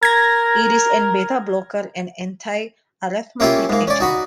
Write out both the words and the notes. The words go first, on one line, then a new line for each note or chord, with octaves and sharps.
It is an beta blocker and anti-arrhythmic agent.
A#4 G#6 A#6
A#3 C#4 E4 F4 G4
G#2 A#3
C#4 D5
D#4 F#4 B5